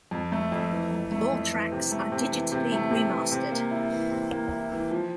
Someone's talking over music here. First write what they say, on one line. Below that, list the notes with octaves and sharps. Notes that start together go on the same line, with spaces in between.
All tracks are digitally remastered.
F2
A3
F2
E3
F2
A3
F2
E3
C3
A3
C3
E3
C3
A3
C3
E3
C3
A#3
E4
E3
C3
A#3
E4
E3
F3